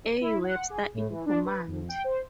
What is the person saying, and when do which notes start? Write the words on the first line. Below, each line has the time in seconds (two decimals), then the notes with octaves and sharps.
A. Webster in command.
0.21 E4
0.44 F#5
0.70 G#4
0.94 A2
1.10 E3
1.26 D4
1.45 B4
1.68 F2
1.89 G5
2.04 C5